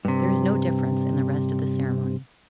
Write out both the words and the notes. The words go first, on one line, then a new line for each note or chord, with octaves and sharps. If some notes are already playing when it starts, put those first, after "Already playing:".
There is no difference in the rest of the ceremony.
G2 C3